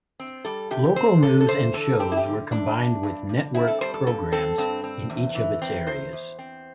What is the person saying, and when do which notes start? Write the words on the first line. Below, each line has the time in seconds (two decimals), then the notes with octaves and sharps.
Local news and shows were combined with networked programmes in each of its areas.
0.20 C4
0.45 G3 A4
0.71 C3 G4
0.96 C4 C5
1.22 D3 A4
1.41 A4
1.48 E2 C5
1.74 D3 A4
1.99 C4 G4
2.12 E4
2.17 G4
2.26 D3
2.51 E2 D4
2.77 E2
3.03 G2
3.29 G2
3.54 C4 E4
3.67 A4
3.81 G3 C5
3.94 A4
4.06 G2 A4
4.32 C4 A4
4.58 G2 C4
4.84 C4
5.10 E2
5.35 E3
5.61 E2 C4
5.86 E2 C5
6.13 E2
6.39 C4